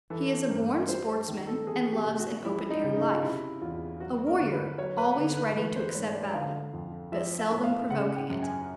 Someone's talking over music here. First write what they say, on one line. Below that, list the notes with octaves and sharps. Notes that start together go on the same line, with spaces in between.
He is a born sportsman and loves an open-air life--a warrior, always ready to accept battle, but seldom provoking it.
E3 A4
G2 A#4
G3 C5
C5
D#3
A4
E3 G#4
G4
C3
F#4
F3 E4
D#4
C#3
D#4
F4
C3 E4
E2 F4
F#3 F#4
A#4
D3
B4
F#3 C#5
B4
D3
B4
E3 B4
C5
G#2 C#5
D5
D3 F5
F2
F3 E5
E5
A2
F5
C#3 F#5
G5
F#2
G#5